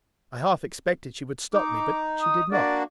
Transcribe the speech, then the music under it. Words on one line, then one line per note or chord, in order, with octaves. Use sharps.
I half expected she would stop me, but she did not.
D#4 D6
D#6
A#3 D4 F#4 D5